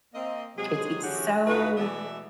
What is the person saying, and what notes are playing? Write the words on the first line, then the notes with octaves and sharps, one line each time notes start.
it's it's, so
A#3 C4 D#5
C3 F#3 G#3 G#4
D3 E3 F#3 C#4 F#4 G4
D2 D#4 F4 F#4 B4
B2 E3 A3 B3 D5 E5